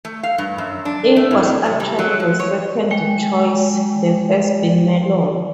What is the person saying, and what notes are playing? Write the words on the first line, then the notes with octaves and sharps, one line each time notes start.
Ink was actually the second choice, the first being "Melon".
A3
F5
G2
F#2
D4
A3
A2
C3
G3
F#3
F3
C#5
G#3 G5